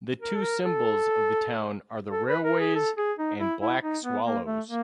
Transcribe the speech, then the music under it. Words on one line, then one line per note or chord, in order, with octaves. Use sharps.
The two symbols of the town are the railways, and black swallows.
A#4
A4
A#4
A4
A4
B4
A#4
G#4
A4
G#4
D#4
E4
E4
D#4
B3
A#3
A3
A#3